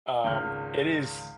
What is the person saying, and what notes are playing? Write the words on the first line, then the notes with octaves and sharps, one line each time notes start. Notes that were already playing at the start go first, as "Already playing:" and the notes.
Um, it is
G#1 C#2 F6